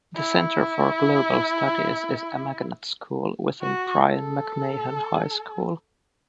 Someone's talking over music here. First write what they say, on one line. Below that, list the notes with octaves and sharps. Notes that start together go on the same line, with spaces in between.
The Center for Global Studies is a magnet school within Brien McMahon High School.
E4
F#4
A4